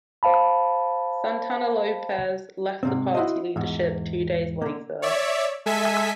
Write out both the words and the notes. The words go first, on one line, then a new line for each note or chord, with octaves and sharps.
Santana Lopes left the party leadership two days later.
C5 F5 A5 B5
G#2 C3 C4
E4 F#4 C5 D#5
E2 G#2
D3 A#3
C#5 D5 E5
G#3 A4 E5 G#5 B6